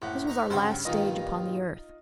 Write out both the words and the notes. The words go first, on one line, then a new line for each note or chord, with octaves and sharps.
This was our last stage upon the earth.
F#1 A2 F#5
D#4 A#5
G2 C#3 C4 F#4 C5
G2 A#2 D#3 D#4 F4 D#5